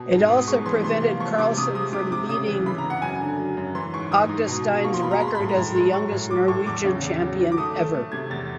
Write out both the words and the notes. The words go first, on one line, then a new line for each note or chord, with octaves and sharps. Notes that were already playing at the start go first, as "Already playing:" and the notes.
It also prevented Carlsen from beating Agdestein's record as the youngest Norwegian champion ever.
Already playing: B2
G#2
B3
G#3 C#6
E3 C6
C3 C6
A#3
F3 C#6
C3 D6
C3 D#6
G#3 D#6
C3 D6
C3 D6
C#3 D#6
E3
C#3 B5
A#5
C#3
F#5
F#2 G#5
D3
F#3
F#2
E3 C6
G#2 C#6
G#2 D#6
G#2
B2
B2
A#3 C#6
C6
B2 B5
A#5
G#3 B5
C6
A2 B5
A#5
A2 B5
G#3 C6
F#3 C#6
A2
F#3 D6
A2 C#6
E2 D6
C#3
E2
F#3
D#3
D6
A3 D#6
A3
A3
C3 G#6
E2 A6